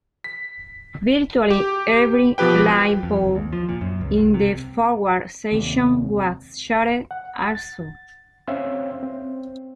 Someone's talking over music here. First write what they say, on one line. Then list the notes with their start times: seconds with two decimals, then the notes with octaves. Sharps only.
Virtually every light bulb in the forward section was shattered also.
0.24 B6
1.50 G4
2.38 B2 F3 G4 B4 G5
3.03 F2
3.21 G1
3.35 D#2
3.53 F3
3.69 A#2
3.81 F#2
4.01 C#2
4.17 C2
4.34 C3
5.52 D#2 C3
7.11 F#5
7.55 A6
8.48 C4 C#4 C#5 E5 F5 C6
9.03 C4